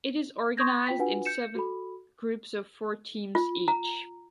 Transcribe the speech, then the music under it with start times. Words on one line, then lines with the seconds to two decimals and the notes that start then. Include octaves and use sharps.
It is organized in seven groups of four teams each.
0.57 C6 C#6 D#6 G6 G#6 A#6
0.87 F4 G5 B6
0.99 D4 F4 F#4 B4 F#5 G#5
1.25 G6 C#7 E7
1.55 F#4 A4 B5
3.35 F4
3.68 A#5